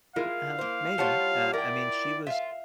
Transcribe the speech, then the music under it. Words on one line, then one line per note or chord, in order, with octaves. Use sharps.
Uh, maybe. Uh, I mean, she was
G#3 E4 F4 A#4 F5
A#3 C5
G3 F4 C5 C#5 F#5 A5
E4 A#4 D5 G5
F4 E5 F5